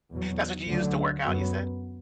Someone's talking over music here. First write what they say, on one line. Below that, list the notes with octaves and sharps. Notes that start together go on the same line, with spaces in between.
That's what you use to work out, you said?
E2 B2 F#3
D2 D3 F#3
F#2 F#3 B3